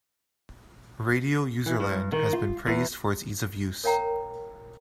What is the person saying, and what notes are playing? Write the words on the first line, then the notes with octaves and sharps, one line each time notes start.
Radio UserLand has been praised for its ease of use.
E3
G2
D#3
F4
E2
A#4 C#5 F5 G5 A#5